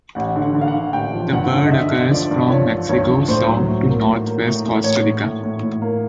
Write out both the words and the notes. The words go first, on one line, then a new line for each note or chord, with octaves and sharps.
The bird occurs from Mexico south to north-west Costa Rica.
A1 F#5
D3
F#5
D3
F5
F#5
D3
A1 G5
F3
G2 F#5
D3
D#5
D3 E5
D3
F3 D5
G2
F3 C#5
F3
G2 C#5
F3
A2 C5
F#3
A2
A#3
A2
A#3
A2
A2
A2 C#5
A2
A2
A2
A2
A#3